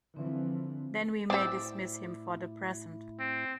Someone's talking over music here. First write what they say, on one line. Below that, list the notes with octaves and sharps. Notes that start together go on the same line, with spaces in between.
Then we may dismiss him for the present.
D3 E3 F3 C4
A2 C4 E4 G4 D5 E6
C4